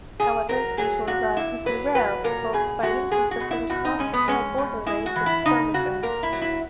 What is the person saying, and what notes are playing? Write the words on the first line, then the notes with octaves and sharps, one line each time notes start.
However, these were relatively rare, with most fighting consisting of small-scale border-raids and skirmishing.
A#2 G#4
F#3 A#4
F#3 G#4
A#2 F#4
A#2 E4
F#3 B4
F#3 B4
A#2 A#4
B2 G#4
G#3 F#4
G#3 G#4
F#4
B2
E4
B2 F#4
D#4
G#3 C#4
B3
G#3 C#4
B2
G#3 E4
F#4
E3
E4
C#3 D#4
C#3 F#4
A#2 A#4
E4
F#3
E4